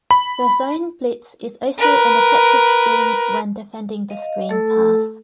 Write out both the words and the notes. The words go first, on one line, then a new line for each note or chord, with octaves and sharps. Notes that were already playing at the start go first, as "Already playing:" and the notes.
The zone blitz is also an effective scheme when defending the screen pass.
B5
A#4 B4
D#5 F5
A3 A4 E6